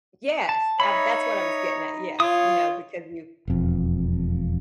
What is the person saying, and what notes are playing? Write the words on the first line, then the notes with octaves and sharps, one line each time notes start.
Yes. A that's what I was getting at yes, you know, because you
A5
D#4 C#5 E5 B5
F4 C#5 D#6
E1 F2